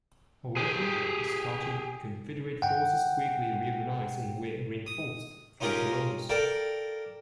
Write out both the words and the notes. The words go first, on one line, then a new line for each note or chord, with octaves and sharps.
However, the scattered Confederate forces quickly reorganized and were reinforced from Columbus.
G4 G#4
F#5 G5
D#6
C#4 D#4 F4 G4 G#4 A#4
A4 A#4 D5 F5 G5